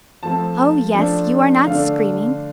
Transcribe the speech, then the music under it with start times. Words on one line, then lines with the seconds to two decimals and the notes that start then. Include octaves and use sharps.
Oh, yes; you are not screaming.
0.23 F3 A3 C4 A5
0.94 F3 A3 D4
1.66 D3 A3 D4 F5